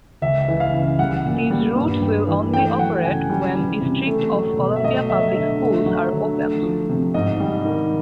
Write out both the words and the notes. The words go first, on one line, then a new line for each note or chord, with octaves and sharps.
These routes will only operate when District of Columbia Public Schools are open.
C#2 E5
E3
F5
C#3
G3 F#5
A#2
G3
G2
G3
E3
A3 G5
F#3 F#5
C#3 G#5
G3
E3
C3
A3
F#3
B2
E5
A3 D#5
F#3 E5
D3 E5
A3
F#3
D3
A3
F3
C3
G#2 D#5
G3
D#3